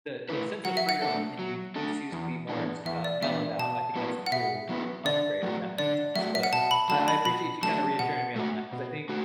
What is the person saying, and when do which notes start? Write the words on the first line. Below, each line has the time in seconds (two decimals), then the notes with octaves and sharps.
the the sense of freedom and you we choose to be more s uh, mellowed out, I think that's the cool upgrade, if that makes sense, but, I I appreciate you kinda reassuring me on that 'cause I think
0.29 A3 E4 B4
0.65 F#3 F#5
0.77 E5
0.89 F#5
1.02 A3 D4 A4
1.39 F#3
1.76 A3 D4 A4
2.12 E2
2.49 E3 B3 D4
2.86 E2 E5
3.04 D5
3.22 E3 B3 D4 E5
3.59 B2 A5
3.96 F#3 B3 E4 B4
4.26 F#5
4.32 B2 E5
4.69 F#3 B3 E4 B4
5.05 D3 D5
5.43 F#3 A3 F#4
5.78 D3 D5
6.15 F#3 A3 F#4 E5
6.35 E5
6.43 F#5
6.53 B2 A5
6.71 B5
6.89 F#3 A3 D4 A5
7.08 B5
7.25 B2 B5
7.63 F#3 A3 D4 A5
7.99 B2 F#5
8.36 A3 F#4
8.73 B2
9.09 A3 F#4